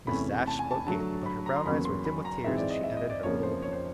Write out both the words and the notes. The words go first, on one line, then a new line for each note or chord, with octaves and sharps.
Mrs. Ashe spoke gayly, but her brown eyes were dim with tears as she ended her little appeal.
E2 C3 E3 A3 C#4 B5
A5
G#5
A5
D3 F#3 A3 A5
B5
A#5
C6
E2 C#3 F#3 A#3 C#4 B5
C6
B5
A#5
G#2 E3 G#3 C4 E5
D5
D#5
E5
D#5
D5
F2 C#3 F3 A#3 C#5
C5
C#5
C5